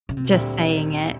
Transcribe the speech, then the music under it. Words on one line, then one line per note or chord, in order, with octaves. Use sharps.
just saying it
C#3
C3
B2
D2 A#2 D3 G3 C4